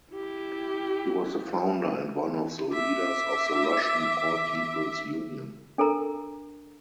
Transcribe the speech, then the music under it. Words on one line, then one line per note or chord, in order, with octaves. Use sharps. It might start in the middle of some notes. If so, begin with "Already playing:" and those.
He was the founder and one of the leaders of the Russian All-People's Union.
E4 G4
E5 D6
D4 A4 A#4 A#5